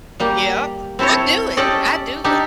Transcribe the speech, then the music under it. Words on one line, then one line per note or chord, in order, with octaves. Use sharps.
yep. I do it. I do it.
G3 A#3 G4
C4 E4 A4 C5 C#5
C#4 G4 A4 D5 D#5
D4 D#4 G4 A4